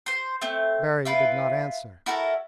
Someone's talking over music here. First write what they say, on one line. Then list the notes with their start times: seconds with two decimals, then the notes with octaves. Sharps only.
Berry did not answer.
0.06 C5 C6
0.41 A3 C4
1.05 E4 F4 B4
2.06 E4 F#4 A4 A#4